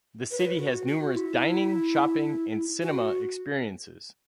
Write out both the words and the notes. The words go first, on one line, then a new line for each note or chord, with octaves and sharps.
The city has numerous dining, shopping, and cinema experiences.
B4
C#5
B4
F#4
F#4
E4
F#4